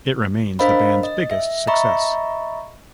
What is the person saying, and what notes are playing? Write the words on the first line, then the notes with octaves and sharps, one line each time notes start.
It remains the band's biggest success.
D4 A#4 C5 D#5 F5 B5
D#5
E5
D#5 E5 A#5 B5 C#6